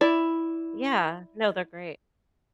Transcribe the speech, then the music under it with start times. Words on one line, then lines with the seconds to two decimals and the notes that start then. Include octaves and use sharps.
Yeah. No, they're great.
0.01 E4 D5